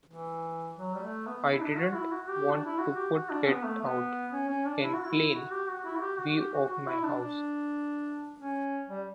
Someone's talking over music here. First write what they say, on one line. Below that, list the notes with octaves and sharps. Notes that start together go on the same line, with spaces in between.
I didn't want to put it out in plain view of my house.
E3
F#3
G3
A3
B3
E4
D4
F#4
E4
F#4
G4
D4
E4
F#4
G4
F#4
D4
B3
A3
B3
C#4
C#4
D4
E4
F#4
E4
F#4
G4
F#4
E4
F#4
G4
F#4
G4
F#4
F#4
E4
D4
D4
C#4
G3